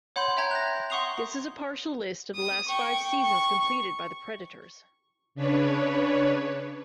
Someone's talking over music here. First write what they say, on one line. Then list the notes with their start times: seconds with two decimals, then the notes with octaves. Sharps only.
This is a partial list of the last five seasons completed by the Predators.
0.16 C#5 F#5 B5 C6 G6
0.37 E5 G5 A#5 G#6
0.51 F#6 G6 A#6
0.90 F#5 C6 C#6 D#6 C7 F7
2.35 D#6
2.68 G5 C#6
3.23 C#6
5.35 C#3 D4 B4 C#5